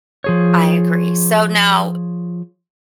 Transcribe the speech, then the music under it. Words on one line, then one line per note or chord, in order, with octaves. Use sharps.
I agree. So now,
F3 G#4 C#5